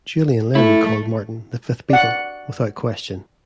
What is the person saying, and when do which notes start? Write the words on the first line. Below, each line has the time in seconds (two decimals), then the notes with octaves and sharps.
Julian Lennon called Martin "The Fifth Beatle, without question".
0.55 A3 E4
1.90 D5 F#5